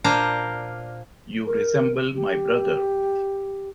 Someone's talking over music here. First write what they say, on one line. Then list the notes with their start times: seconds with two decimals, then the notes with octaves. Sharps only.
You resemble my brother.
0.04 A#2 D4 A#4 C5 A#5
1.47 A#4
2.15 G4